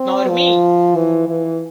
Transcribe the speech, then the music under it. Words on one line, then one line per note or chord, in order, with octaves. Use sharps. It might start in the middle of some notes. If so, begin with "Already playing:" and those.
Nor me.
Already playing: C4
F3
E3
E3